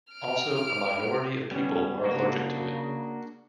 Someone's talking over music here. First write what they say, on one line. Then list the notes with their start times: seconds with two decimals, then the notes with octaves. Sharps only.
Also, a minority of people are allergic to it.
0.12 F6 D7
1.51 G3 B3 C#4
2.04 C#3 A#3 D4 F#4